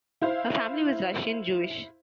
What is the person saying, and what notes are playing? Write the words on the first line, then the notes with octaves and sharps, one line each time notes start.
Her family was Russian Jewish.
E4 C5 F5